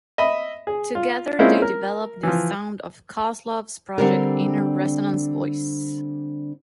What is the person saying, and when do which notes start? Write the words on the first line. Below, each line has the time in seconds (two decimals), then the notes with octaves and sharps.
Together they developed the sound of Kozlov's project Inner Resonance Voice.
0.18 D#5 E5 B5
0.67 G#4
0.95 F4
1.39 G#3 A#3 C4 C#4 E4 F4
1.62 A#4
2.23 E3 F3
3.98 D3 G3 C4 D4 G4 A#4